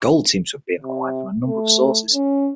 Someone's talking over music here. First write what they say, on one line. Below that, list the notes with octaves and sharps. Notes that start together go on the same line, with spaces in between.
Gold seems to have been acquired from a number of sources.
C3
A3
C#4